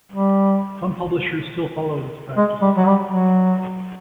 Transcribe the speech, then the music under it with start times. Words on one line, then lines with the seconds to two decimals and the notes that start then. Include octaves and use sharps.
Some publishers still follow this practice.
0.12 G3
2.37 G#3
2.62 G3
2.77 F#3
2.87 G3
3.12 F#3